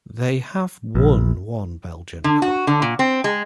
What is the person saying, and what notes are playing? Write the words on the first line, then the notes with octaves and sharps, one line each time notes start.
They have won one Belgian Cup.
A#1
D3
F#4
D3
A#2
C4
G#3